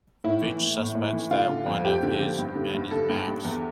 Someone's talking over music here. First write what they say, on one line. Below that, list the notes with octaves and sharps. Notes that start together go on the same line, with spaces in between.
Fitch suspects that one of his men is Max.
A2 E4
E3
E3
A2
A2
E3
D3 F4
D3
F2
F2 G4
D3
D3
G2
D3
G2
D3 A4
G2
G2
E2